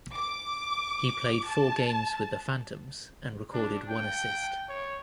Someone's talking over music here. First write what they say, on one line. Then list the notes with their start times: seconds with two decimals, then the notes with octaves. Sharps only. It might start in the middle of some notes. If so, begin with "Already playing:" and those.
He played four games with the Phantoms and recorded one assist.
0.14 D6
1.46 A5
3.54 D4
3.89 G5
4.69 C#5